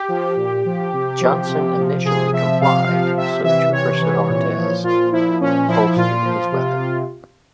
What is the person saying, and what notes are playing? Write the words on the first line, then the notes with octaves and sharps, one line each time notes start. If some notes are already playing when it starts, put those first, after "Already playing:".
Johnson initially complied so Trooper Cervantes holstered his weapon.
Already playing: G4
F3
A#2
F3
C3
F3
C3
F3
C3 G#4
F3 E5
C3 F5
F3
C3 E5
E3 E5
C3 C#5
E3
A#2
F3
A#2 F4
F3 E4
A#2 C#4
F3 E4
A#2 F4
F3
C3